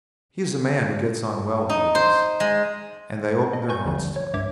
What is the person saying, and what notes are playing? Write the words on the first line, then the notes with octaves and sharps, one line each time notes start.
He is a man who gets on well with niggers, and they open their hearts to him.
D#4
C5
G#3
D#5
B4 G#5 C#6 G6
G#1 D#2 D3 F3 G3
C#5
C#2 G2 C#5 E5 D6 G#6